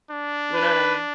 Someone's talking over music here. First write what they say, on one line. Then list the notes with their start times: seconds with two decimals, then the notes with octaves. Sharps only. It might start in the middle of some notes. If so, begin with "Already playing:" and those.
You know what I me
0.11 D4
0.55 B4